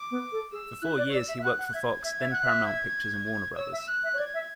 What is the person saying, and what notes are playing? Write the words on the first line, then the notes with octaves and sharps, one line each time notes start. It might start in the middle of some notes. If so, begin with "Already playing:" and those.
For four years, he worked for Fox then Paramount Pictures, and Warner Brothers.
Already playing: D6
B3
A4
G#4 E6
E4 F#6
D5
C#5
D5 E6
E5
E5
F#5 F#6
F#5
E5 G#6
E5 G#6
E5
F#5 F#6
E5
G#6
C#5 E6
E5
F#6
E5
C#5
D5 G#6
E5